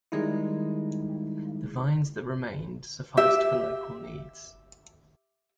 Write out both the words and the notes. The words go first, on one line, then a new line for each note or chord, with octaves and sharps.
The vines that remained sufficed for local needs.
D#3 G3 G#3 D#4 E4
G4 E5